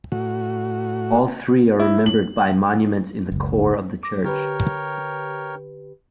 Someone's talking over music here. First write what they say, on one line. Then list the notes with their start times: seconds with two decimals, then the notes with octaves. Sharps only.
All three are remembered by monuments in the core of the church.
0.12 A2 F#4
1.79 E4
2.06 F#7
3.32 F#1 C#2
4.03 D6 A#6
4.24 D3 G4 A#4 B4 C#5 G5